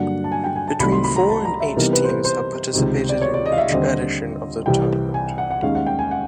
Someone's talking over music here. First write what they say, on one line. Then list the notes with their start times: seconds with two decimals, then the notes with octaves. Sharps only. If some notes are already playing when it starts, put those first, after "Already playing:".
Between four and eight teams have participated in each edition of the tournament.
Already playing: G2 D3 F#3 A#3 D4 F#5
0.24 A5
0.32 G#5
0.44 G5
0.56 G#5
0.68 A5
0.80 C2 C3 D#3 F#3 A3 B5
0.92 C6
1.04 B5
1.16 A#5
1.29 A5
1.45 A#5
1.60 E5
1.76 C3 E3 G3 B3 D#4 A#4
1.93 B4
2.04 C5
2.09 B4
2.25 C5
2.73 C#2 C3 D#3
3.09 D5
3.21 C#5
3.34 D5
3.46 D#5
3.52 F5
3.58 E5
3.69 D#2 D3 G3 C4 D#5
4.66 C2 C3 E3 G3 G5
5.14 G#5
5.38 F#5
5.50 F#5
5.62 D#2 D#3 G#3 C#4 F5
5.75 F#5
5.86 G5
5.99 G#5
6.11 F#5